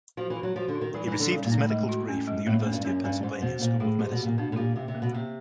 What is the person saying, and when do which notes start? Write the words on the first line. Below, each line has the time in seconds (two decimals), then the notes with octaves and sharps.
He received his medical degree from the University of Pennsylvania School of Medicine.
0.17 F3 F#4
0.30 E3
0.37 F#4
0.43 F#3
0.56 F3 F#4
0.68 D3
0.75 F#4
0.81 D#3
0.94 E3 G3
1.07 E3
1.12 D#4
1.20 D3
1.32 C#3 G3
1.45 A#2
1.52 D#4
1.58 A2
1.70 G#3
1.89 F#4
2.08 C#4
2.27 G#3
2.46 A2 A#3
2.60 A2
2.65 C#4
2.72 G2
2.85 F#2 C#4
3.04 G2 C#4
3.23 G#2 C5
3.42 B2 C5
3.61 A#2 C5
3.80 A2 G#4
3.99 G#2 G4
4.12 B2
4.19 G4
4.25 A#2
4.38 B2 D4
4.52 A2
4.56 A#2 G4
4.75 C3 G4
4.88 C3
4.95 A#3
5.02 B2
5.14 C3 A#3